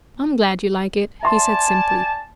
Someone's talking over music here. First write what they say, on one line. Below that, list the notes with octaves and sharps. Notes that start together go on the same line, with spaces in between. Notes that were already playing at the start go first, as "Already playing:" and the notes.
"I am glad you like it," he said simply.
D5 E5 G#5 A5 C6